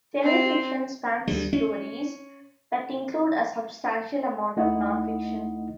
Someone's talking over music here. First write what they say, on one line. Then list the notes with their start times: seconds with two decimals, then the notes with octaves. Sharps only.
Semi-fiction spans stories that include a substantial amount of non-fiction.
0.22 C4
1.28 D2 G3
1.53 C#4
4.56 D2 A3 D#4 E4 D#5 F#5